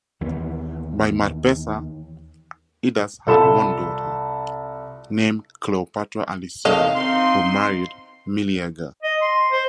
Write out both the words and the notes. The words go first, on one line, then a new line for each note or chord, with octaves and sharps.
By Marpessa, Idas had one daughter named Cleopatra Alcyone who married Meleager.
D#2 E3 B3
C2 F4 A4 B5 E7
C3 D#3 A4 D#5 F5
C4 D#4 C6
D#5
C6
C5